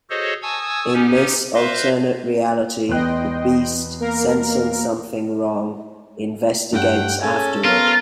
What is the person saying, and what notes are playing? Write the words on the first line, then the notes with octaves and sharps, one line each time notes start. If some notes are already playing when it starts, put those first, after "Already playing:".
In this alternate reality, the Beast, sensing something wrong, investigates afterward.
F#4 G#4 A4 C5 C#5 D#5
G#5 A5 C#6 D#6 E6 G#6
B3 C#4 D#4 G4 G#5
B4 C5 E5 F5 C6 A#6
E2 B3 D#5 G5 C6 F#6
A#3 A#4 F5
G2 A3 F#5 G5
C#4 G#4 A4 C#5 G#5
B3 F4 A#4